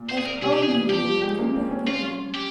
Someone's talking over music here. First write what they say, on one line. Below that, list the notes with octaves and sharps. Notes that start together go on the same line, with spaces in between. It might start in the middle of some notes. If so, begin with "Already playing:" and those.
If only he could come back again!
Already playing: A#2
C5
G#4
A#4
C3 G#4
G4
G#4
E3
G3
F3 G4
G3
G#3
A#3
C4
C#4
C#4 F4
G4